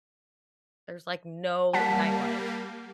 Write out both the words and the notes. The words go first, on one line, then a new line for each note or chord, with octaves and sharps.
There's, like, no nightlife.
G3 A#3 F#5 A5 B6